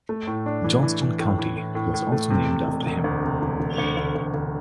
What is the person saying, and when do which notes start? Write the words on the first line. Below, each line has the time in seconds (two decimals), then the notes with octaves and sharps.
Johnston County was also named after him.
0.09 A3
0.27 A2
0.46 D4
0.64 E3
0.83 E3
1.02 E3
1.20 A2
1.38 E3
1.57 A2
1.75 A2
1.94 A2
2.12 A3
2.30 C3
2.49 C3
2.68 E1
2.86 E1
3.04 D2
3.23 C3
3.42 E1
3.60 E1
3.78 D2
3.97 D2
4.15 D2
4.34 D2